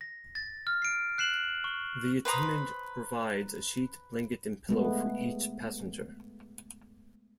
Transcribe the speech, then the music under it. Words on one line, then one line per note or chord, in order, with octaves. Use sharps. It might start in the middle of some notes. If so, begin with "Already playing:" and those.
The attendant provides a sheet, blanket, and pillow for each passenger.
A#6
A6
F6
C7 D7
F#6 C7 E7 F#7
C#6
B4 C5 A#5 D#6
G#3 A3 B3